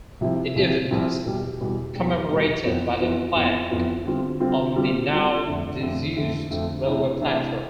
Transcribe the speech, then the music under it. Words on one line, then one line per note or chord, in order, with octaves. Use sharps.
The event is commemorated by a plaque on the now disused railway platform.
C2 C3 F3 C4 E4
C2 C3 F3 C4 E4
C2 C3 F3 C4 E4
E2 B2 G3
E2 B2 G3
E2 B2 G3
E2 B2 G3
F2 E3 B3 F4 B4
F2 E3 B3 F4 B4
F2 E3 B3 F4 B4
F2 E3 B3 F4 B4
D3 G3 C4 F4
D3 G3 C4 F4
D3 G3 C4 F4
D3 G3 C4 F4
F2 D3 A3
F2 D3 A3
F2 D3 A3
F2 D3 A3
C3 E3 A3 D4
C3 E3 A3 D4